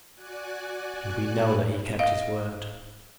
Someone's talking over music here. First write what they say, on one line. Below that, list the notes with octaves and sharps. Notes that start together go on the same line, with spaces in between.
And we know that he kept his word.
F#4 D5 G#5 F#6
D#5 F5